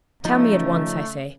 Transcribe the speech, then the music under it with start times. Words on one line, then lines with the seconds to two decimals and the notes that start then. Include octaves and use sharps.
"Tell me at once, I say."
0.25 C#3 F3 A3 D#4